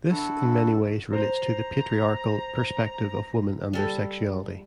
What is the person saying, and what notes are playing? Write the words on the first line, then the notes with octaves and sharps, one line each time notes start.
This, in many ways relates to the patriarchal perspective of women and their sexuality.
D3 E4 F#4 A4
C5 A#5
G3 A4